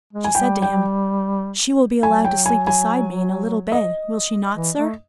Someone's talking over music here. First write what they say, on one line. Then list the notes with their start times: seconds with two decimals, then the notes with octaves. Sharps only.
She said to him, "She will be allowed to sleep beside me in a little bed, will she not, sir?"
0.13 G#3
0.24 G#5
0.35 G3 G5
0.62 G5
2.03 F#3 G#5
2.25 G5
2.46 G#5
2.67 G#5
3.72 D#5
4.56 E3
4.78 A3